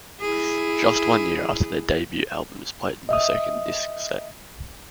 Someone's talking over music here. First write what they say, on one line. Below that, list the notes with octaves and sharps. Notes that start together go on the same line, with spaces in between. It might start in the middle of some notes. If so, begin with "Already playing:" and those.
Just one year after their debut album is played the second disc set.
E4 G#4
D#5 E5 D#6